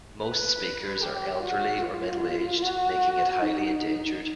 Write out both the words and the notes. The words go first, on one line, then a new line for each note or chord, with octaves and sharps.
Most speakers are elderly or middle-aged, making it highly endangered.
B4
G4
F#4
F4
F#4
D#4